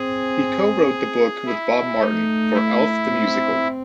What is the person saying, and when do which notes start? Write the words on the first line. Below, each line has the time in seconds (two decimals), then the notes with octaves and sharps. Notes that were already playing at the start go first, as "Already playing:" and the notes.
He co-wrote the book, with Bob Martin, for "Elf the Musical".
Already playing: C4 G#4
1.46 E4
2.00 A3 D#4
2.54 E4
3.08 C4